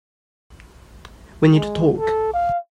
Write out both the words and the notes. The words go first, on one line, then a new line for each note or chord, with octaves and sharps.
We need to talk.
G#3
A4
F5